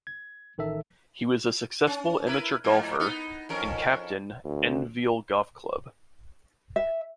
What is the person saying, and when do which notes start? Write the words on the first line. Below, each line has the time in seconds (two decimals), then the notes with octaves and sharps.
He was a successful amateur golfer and captained Enville Golf Club.
0.07 G#6
0.58 A1 D#3 A4 E5
1.87 C#4
2.27 E4 A#4 B4
2.64 F2 G#2 A#3
3.00 B3 D#4
3.49 F2 C#4 A#4
4.45 D2
6.76 E5